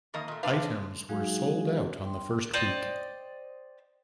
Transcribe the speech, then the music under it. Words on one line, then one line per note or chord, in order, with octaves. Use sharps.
Items were sold out on the first week.
F2 D#3 A#3 D#5
A#2 A3
F2 A3 D4 B4 F5
G#3
F#3 G#3 D#4 F#4 G#4 F5
G5 C6
C5 D5 D#5 G5